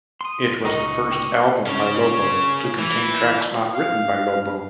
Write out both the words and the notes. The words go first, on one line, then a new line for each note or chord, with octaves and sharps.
It was the first album by Lobo to contain tracks not written by Lobo.
C6 D#6
C#2 A#2 D3 D#4 F#4 A#4 D#5 C#6
G4
C#3 C#4
E3
F5